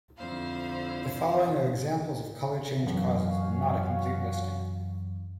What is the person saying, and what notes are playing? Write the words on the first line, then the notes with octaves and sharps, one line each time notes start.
The following are examples of color change causes and not a complete listing.
F2 D3 E4 C5 F5
F#2 E3 C#4 F#4 F5